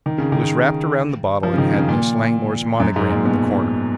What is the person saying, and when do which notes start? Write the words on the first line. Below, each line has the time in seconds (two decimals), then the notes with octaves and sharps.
It was wrapped around the bottle and had Miss Langmore's monogram in the corner.
0.06 D#3
0.18 C#3
0.32 D#3
1.43 F3
1.54 C#3
1.58 D#3
1.74 C#3
1.89 A#2
2.80 F#2
2.96 G#2
3.10 A#2
3.25 B2